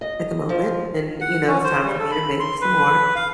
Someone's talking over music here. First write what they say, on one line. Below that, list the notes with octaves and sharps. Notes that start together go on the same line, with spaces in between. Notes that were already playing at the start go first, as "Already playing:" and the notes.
at the moment and, you know, it's time for me to make some more,
D#5
F3
F#5
C#4
C5
G3
A4
B5
C6
B4
F5